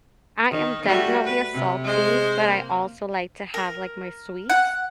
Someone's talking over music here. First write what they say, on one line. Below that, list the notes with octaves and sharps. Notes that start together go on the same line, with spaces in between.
I am definitely a salty, but I also like to have, like, my sweets,
D#3
G3 A3 F#4
B4
C3
G#3 C5
A#3
A#4
F#5